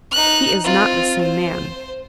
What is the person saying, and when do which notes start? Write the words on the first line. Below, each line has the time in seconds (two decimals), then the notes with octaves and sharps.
He is not the same man.
0.11 D#4 F#6
0.64 C4 F4
1.21 C5